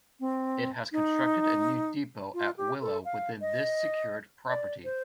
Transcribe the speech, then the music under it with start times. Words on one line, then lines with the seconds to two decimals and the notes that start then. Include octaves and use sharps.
It has constructed a new depot at Willow within this secured property.
0.20 C4
0.92 D#4
2.34 F4
2.57 G4
2.81 A4
3.05 F5
3.41 D#5
4.48 D5
4.85 C5